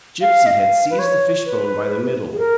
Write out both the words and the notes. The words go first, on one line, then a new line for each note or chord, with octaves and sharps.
Gipsy had seized the fishbone by the middle.
F5
D#5
F5
B4
C#5
B4
G#4
A#4